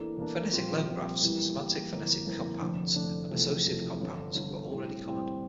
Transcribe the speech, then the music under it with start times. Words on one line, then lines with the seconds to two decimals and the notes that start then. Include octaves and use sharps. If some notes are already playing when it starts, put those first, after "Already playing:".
Phonetic loan graphs, semantic-phonetic compounds, and associative compounds were already common.
Already playing: E2 E3 A#3 D4 A4
0.18 E2 E3 A#3 D4 A4
0.53 A#1 A#2 G3 C4 F4
0.87 A#1 A#2 G3 C4 F4
1.22 E2 E3 G3 A#3
1.57 E2 E3 G3 A#3
1.92 G1 F2 E3 A#3
2.27 G1 F2 E3 A#3
2.61 F1 F2 D3 A3 D4
2.96 F1 F2 D3 A3 D4
3.31 F1 E2 C3 F3 A3
3.66 F1 E2 C3 F3 A3
4.01 G1 G2 D3
4.35 G1 G2 D3
4.70 A2 G3 C4
5.05 A2 G3 C4